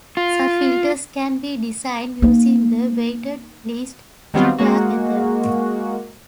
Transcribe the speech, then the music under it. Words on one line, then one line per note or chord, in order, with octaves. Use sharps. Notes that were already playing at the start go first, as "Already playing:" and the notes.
Such filters can be designed using the weighted least squares method.
F4
A#3 D#4
D#3 F#3 G3 B3 C4 F4
G#3 A#3 F#4